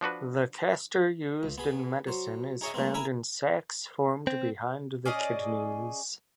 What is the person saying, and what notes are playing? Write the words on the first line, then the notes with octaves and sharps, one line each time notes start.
The castor used in medicine is found in sacs formed behind the kidneys.
F3 D4 F#4 B4
C#2
B3 G#4 B5
F#3 C5
D#4 G#4 C#5 D#5 E5
G3 A3 A#3 C4
E4 A#4 E5 G#5 A#5 B5
C4
C#4 G#4 D5 D#5